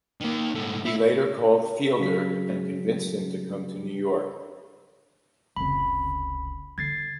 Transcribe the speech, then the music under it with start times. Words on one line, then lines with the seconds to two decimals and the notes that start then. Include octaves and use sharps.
He later called Fielder and convinced him to come to New York.
0.21 D#3 A#3
0.55 G#2 A3
0.86 E4
2.00 C#3 F#3 B6
5.56 F1 C#2 B5
6.78 D3 G#6 A6 C7